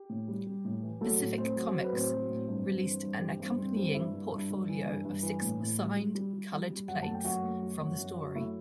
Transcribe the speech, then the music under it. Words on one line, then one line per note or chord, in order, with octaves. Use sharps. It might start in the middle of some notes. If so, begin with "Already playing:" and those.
Pacific Comics released an accompanying portfolio of six signed, colored plates from the story.
Already playing: G4
A2
G3
G3
A2
E3
F#3 A3 A4
A2
A3 C4 C5
F#3
F#3 C5
B4
A2 C4 C5
F#3
A2
G2
G2
E3
G2
E3 G4
G2 C4 C5
G2 C4 C5
G3 C4 C5
G2 E4 E5
G2
G2
G2
E3
G2
G2
E3
A2
A2
G3
G3
G3
G3
G3
G3
F#2 F#4 F#5
A3 A5
G5
F#2 F#4 F#5
A3
F#3
F#2
F#2
F#3
A3 E4 E5